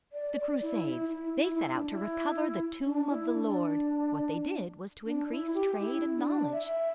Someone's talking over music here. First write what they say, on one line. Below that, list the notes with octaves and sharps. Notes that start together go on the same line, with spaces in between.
The Crusades--they set out to recover the tomb of the Lord!--what they did was to increase trade and knowledge.
D5
D5
E4
E4
E4
E4
E4
D4
E4
D4
E4
D4
D4
E4
G4
E4
D4
E5